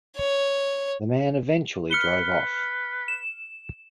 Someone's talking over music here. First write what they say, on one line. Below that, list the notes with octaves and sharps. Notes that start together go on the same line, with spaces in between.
The man eventually drove off.
C#5
B4 F6 C#7 G7
E7